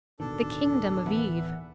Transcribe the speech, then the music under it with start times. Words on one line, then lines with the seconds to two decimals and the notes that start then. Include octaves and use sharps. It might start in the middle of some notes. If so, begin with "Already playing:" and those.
The kingdom of Eve.
0.20 D1 B2 D#3 D4 A4
1.06 E2 B4 E5 F#5